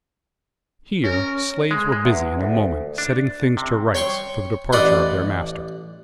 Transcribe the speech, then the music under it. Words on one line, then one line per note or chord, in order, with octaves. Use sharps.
Here slaves were busy in a moment setting things to rights for the departure of their master.
C#4 A#4
G#3
G#3
E2
D2
D4
C3
C#5 G5 C6 C#6
A1 D5 D#5 F#5 B5 C6